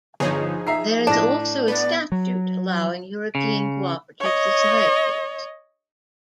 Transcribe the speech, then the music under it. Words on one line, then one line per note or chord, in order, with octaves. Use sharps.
There is also a statute allowing European Cooperative Societies.
G1 F3 D#4 G#4 C#5
E5 A#5 C7
A2 D4 A#6
B3 D5
F#3
C#3
C#5 D#5